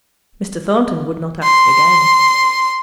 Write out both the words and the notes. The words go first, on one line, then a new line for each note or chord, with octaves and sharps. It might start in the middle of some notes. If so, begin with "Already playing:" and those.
Mr. Thornton would not ask again.
C6